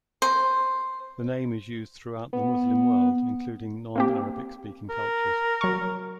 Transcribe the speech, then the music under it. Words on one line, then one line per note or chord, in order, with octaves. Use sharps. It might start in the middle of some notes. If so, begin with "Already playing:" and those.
The name is used throughout the Muslim world including non-Arabic speaking cultures.
C5
B3
A#3 C4 G4
A#4
F#3 C#6